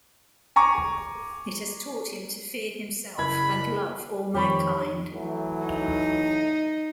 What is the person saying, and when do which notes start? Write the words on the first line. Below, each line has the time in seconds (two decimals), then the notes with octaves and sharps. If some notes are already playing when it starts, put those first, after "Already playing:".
It has taught him to fear himself and love all mankind.
0.56 G#5 A#5 C#6 D6
3.18 F#1 E4 B5 G#6
4.35 F2 D#3 F3 G4 C#5 B5 C#6
5.12 E3 F#3 A3
5.66 D#4